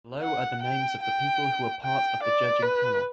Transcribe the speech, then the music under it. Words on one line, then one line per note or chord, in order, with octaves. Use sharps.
Below are the names of the people who were part of the judging panel.
F#5
G5
G5
G5
D5
B4